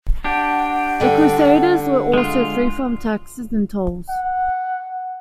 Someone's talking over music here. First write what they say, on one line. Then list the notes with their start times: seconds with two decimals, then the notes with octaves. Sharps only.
The crusaders were also free from taxes and tolls.
0.24 D4 G4 F#5
1.00 D3 G3
2.13 G#3 F4
4.09 F#5